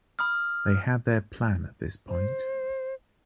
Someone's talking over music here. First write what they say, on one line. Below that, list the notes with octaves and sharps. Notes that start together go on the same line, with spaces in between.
They had their plan, at this point.
B5 D#6 F6
C5